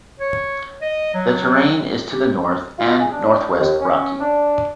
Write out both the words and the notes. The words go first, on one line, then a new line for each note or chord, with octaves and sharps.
The terrain is to the north and north-west rocky.
C#5
D#5
F#3
G4
F4
G#4
D4
D#2
C#4
D4